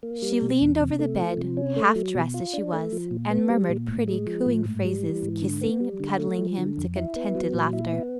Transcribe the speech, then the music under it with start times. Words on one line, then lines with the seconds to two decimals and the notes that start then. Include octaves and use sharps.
She leaned over the bed, half dressed as she was, and murmured pretty cooing phrases, kissing and cuddling him to contented laughter.
0.03 A#3
0.22 G3
0.41 B2
0.61 E2
0.80 C3
0.99 A3
1.19 F3
1.37 C3
1.57 C#4
1.76 A3
1.96 F#3
2.15 B2
2.34 F4
2.53 D4
2.73 A3
2.92 F3
3.11 A#2
3.30 B3
3.50 G3
3.69 A#2
3.88 A2
4.08 G#3
4.27 F3
4.46 A2
4.65 G#2
4.85 G3
5.03 E3
5.23 G#2
5.42 D3
5.61 B3
5.80 G3
6.00 D3
6.19 A3
6.38 F3
6.58 D3
6.77 F2
6.96 E4
7.16 B3
7.35 F#3
7.54 A#2
7.73 E4
7.93 B3